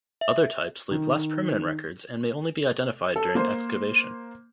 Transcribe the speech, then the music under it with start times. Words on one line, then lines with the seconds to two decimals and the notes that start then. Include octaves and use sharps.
Other types leave less permanent records and may only be identified during excavation.
0.21 E5
0.91 D#3
3.16 A4
3.35 A#3 C5